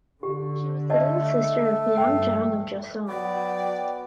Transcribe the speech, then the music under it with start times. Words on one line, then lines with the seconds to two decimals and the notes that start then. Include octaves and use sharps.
She was the little sister of Myeongjong of Joseon.
0.23 D3 G4
0.90 A3 D5 D#5 A5
1.97 G2 F3 G5
3.08 F#3 B3 D5 G5